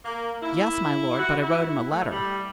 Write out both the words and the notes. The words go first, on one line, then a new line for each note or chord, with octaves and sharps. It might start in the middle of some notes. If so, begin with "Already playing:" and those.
"Yes, my lord; but I wrote him a letter."
A#3
E4
F#4
E4
A3
G3